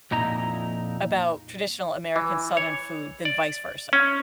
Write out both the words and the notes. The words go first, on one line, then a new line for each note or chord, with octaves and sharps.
about traditional American southern food than vice versa.
F2 A#2 D#4 E4 A#5
E3
C#5
D5
C#4